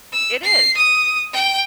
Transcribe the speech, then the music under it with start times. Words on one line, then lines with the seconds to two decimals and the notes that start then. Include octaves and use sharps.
It is.
0.13 E6
0.43 C7
0.77 D#6
1.33 G5